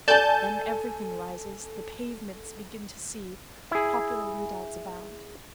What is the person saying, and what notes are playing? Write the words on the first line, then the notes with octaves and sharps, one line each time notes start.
Then everything rises, the pavements begin to seethe, popular redoubts abound.
A4 D5 G#5 A5 G6
E4 G#4